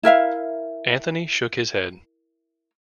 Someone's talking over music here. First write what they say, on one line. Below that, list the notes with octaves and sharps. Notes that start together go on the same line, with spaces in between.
Anthony shook his head.
E4 A#4 E5 F5